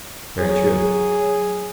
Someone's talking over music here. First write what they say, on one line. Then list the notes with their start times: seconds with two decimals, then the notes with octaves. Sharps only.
Very true.
0.39 F#3 G#4